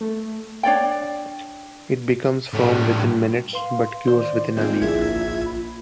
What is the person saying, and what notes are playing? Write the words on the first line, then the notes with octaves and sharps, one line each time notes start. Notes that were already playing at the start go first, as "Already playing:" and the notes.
It becomes firm within minutes but cures within a week.
A3
D4 C#5 D5 G5
A2 G3
B4 F5 C6
D#2 C5 D5
G2 D3 G#3 A#3 C4 F4 G6 G#6
A#1 A#3 D4 E4 G#4 E5 G#6
B5